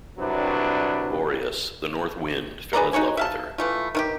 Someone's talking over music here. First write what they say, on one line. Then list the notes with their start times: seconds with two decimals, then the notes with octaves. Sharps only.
Boreas, the north wind, fell in love with her.
0.18 C2 C3 F#3 D4 B4
2.73 G#4 B4 D5 A#5
2.93 D#4 F#4 C#5 G#5
3.17 E5 F5 A5
3.58 E3 A3 F4
3.95 D#3 F4 G4